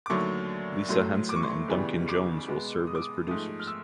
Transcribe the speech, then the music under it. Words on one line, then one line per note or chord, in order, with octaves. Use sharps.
Lisa Henson and Duncan Jones will serve as producers.
D6
D#2 D3 F#3 A3 C#6
A2 F#3 A3 C6
D6
C#6
C6
C#6
C#2 C#3 E3 G3 B3
D6
B2 G#3 B3
D#6
D6
D#6
G#2 F3 A3 D#6
F6
E6